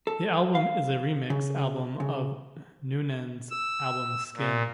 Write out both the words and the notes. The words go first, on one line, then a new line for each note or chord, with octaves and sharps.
The album is a remix album of Noonan's album "Skin".
A4
F5
C#3
C#3
E6
A#2